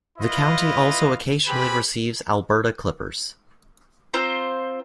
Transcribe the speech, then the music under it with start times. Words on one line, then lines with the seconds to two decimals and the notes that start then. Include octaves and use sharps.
The county also occasionally receives Alberta clippers.
0.19 E4 F4 B4 D#5 F5
1.47 C4 G4 G#4 B4 B5
4.14 C4 F4 C5 A#5